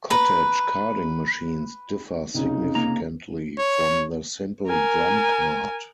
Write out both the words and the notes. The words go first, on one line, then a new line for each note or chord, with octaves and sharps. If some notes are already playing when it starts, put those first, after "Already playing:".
Cottage carding machines differ significantly from the simple drum card.
B4 A#5
C2 F2 C#3 D#4
A#3 A#5
C#5
A#4 G#5